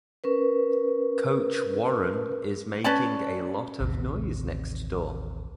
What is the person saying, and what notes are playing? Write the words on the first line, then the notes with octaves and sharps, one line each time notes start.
Coach Warren is making a lot of noise next door.
C#4 A#4 B4
C#4 B4 D5 A5
A1 D#2 C3